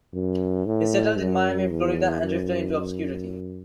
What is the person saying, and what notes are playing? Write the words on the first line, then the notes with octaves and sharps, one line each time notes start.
He settled in Miami, Florida and drifted into obscurity.
F#2
A2
F#2
E2
F#2